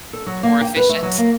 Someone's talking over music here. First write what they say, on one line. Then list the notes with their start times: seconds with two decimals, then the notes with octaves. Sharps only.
e more efficient.
0.13 A4
0.26 F#3
0.43 A#3
0.61 G5
0.76 B4
0.89 A3
1.03 F#3
1.18 A#3